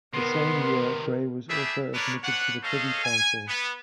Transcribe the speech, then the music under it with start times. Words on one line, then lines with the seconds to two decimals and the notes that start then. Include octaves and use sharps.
The same year Grey was also admitted to the Privy Council.
0.14 C3 D#3 B3 A#4 C6
1.50 A3 D4 G4 G#4 E5 B5
1.94 D4 G#4 A#4 B4 C#5 D5
2.23 D4 B4 C#5 F#5
2.63 G#4 A4 C5 C#5 D#5 F5
3.04 G#5
3.48 B3